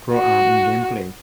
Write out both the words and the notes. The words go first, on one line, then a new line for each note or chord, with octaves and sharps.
Pro-Am in gameplay.
F#4